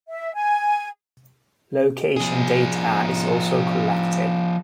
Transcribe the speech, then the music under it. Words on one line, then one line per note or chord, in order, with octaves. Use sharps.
Location data is also collected.
E5
G#5
F3 G#4